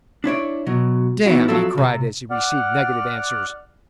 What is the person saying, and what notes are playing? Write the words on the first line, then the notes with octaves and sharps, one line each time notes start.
"Damn!" he cried as he received negative answers.
D4 E4 C#5 D5
B2 F#3
E3 B3 D#4 E4 F#4
F3 F#3 C4 F#4 A4 E5
C3
D5 F#5 F6